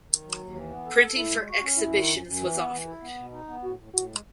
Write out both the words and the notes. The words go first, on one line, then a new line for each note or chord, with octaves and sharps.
Printing for exhibitions was offered.
D#3
F#3
D#2
E3
B3
A4
A4
A2 E4
G#3
F#4
C#4
F#2 E4
D#3
F#2
F#2
E3
B3
E3
E4
B3
B2
D#4
B3
A2 F#4
A2
A2 F#4
G#3